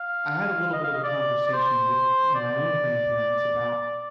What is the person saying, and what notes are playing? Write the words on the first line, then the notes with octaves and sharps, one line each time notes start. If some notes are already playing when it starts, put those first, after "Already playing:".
I had a little bit of a conversation with my own grandparents about
Already playing: F5
D#5
F5
D#5
D5
D5
C5
D5